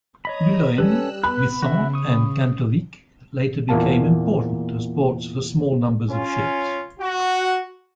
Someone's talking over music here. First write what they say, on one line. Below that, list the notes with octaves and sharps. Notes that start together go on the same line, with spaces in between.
Boulogne, Wissant, and Quentovic later became important as ports for small numbers of ships.
C#5 D#5 A#5 B5 D#6
G3 C#4 A4 B4 E6 F#6
B3 B4 B5 F#6
C#3 F#4 E5
C#6 D#6
E2 A#2 A#3 A5
C#4 F4
F#4